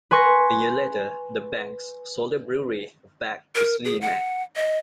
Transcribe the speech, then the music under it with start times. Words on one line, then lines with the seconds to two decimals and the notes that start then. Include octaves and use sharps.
A year later the banks sold the brewery back to Sleeman.
0.11 B4 G#5 C6 C#6 A#6
3.56 A#4
3.85 G#4
4.01 F#5
4.56 D#5